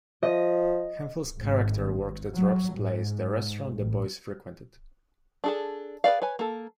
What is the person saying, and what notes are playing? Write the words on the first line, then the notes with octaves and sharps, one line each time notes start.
Hemphill's character worked at Rob's Place, the restaurant the boys frequented.
F3 D#5
G#1
F#3
G#2
A1
D4 G#4 A4
G#4 B4 D5 F5
B4 C#5 G#5
A#3 A4